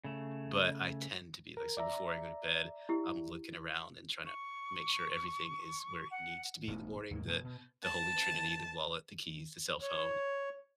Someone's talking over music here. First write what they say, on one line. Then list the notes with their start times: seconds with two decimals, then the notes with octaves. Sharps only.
but I tend to be like, so before I go to bed, I'm looking around and tryna make sure everything is where it needs to be in the morning, that the holy trinity, the wallet, the keys, the cell phone,
0.04 C#3 A3
1.57 A#4
1.77 D5 E5 A#5
2.89 E4 G4
4.25 C#6
6.11 F#5
6.67 E1 A1 A3 B3
7.11 D#2 G#2 A#3
7.27 F2 B2 A3
7.44 B2
7.83 A5
9.82 C#5